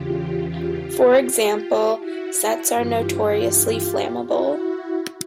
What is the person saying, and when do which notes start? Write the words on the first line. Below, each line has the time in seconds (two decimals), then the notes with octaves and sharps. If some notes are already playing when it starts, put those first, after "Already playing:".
For example, sets are notoriously flammable.
Already playing: E2 C#3 E3 F4 G4
0.48 F4 G4
1.98 E4 F#4
2.74 G2 E3 F4 G4
4.25 E4 F#4